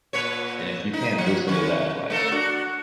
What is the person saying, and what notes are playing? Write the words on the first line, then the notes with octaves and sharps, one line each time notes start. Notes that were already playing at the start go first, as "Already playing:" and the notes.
and if you can't listen to that, like,
A#2 B4 C#5
D#4
F3
D#3 C#4
A3 A4 A#4
D4 F#4